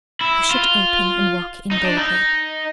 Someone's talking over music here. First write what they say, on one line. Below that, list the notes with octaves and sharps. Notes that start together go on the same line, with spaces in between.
Push it open and walk in boldly.
E4
F4
D#4
D4
D#4